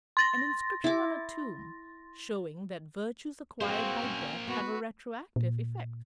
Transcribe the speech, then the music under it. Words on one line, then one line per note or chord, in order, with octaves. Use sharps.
An inscription on a tomb, showing that virtues acquired by death have a retroactive effect.
C6 A6 A#6
E4 D6
A#3 C4 F#4 G#4 B4 C5 F5
C#4
B3 F#4 B4
A#2